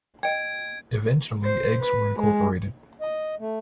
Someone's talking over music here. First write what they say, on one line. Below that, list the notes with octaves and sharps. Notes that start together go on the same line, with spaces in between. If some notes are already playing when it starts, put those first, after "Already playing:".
Eventually eggs were incorporated.
D#5 G5 G#6 D7
C5
B4
G#3
D#5
A3